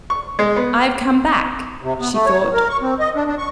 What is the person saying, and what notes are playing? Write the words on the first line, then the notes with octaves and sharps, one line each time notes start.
"I have come back," she thought.
C#6
G#3
B3
C3
B3
A3
C#5
A2
A#4
C#6
C4
D#5
D4
D4
C#6